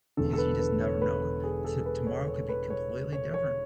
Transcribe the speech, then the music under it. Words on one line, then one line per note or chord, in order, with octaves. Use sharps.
'cause you just never know. T tomorrow could be completely different
E1 E2 D3 A4
A4
B4
B4
C#5
B4
A4
G#4
A4
B4
C#5
C#5
B4
C#5
C#5
C#5